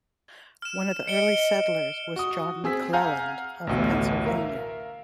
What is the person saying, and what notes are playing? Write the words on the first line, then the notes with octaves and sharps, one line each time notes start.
One of the early settlers was John McClelland of Pennsylvania.
F6 E7
D#5 C#7 D7 G7
F#4 D#6
C4 G#4 E6 B6
F5 F#5 G#5 A#5 F6 G6
A1 D2 B2
A#4 E5 F5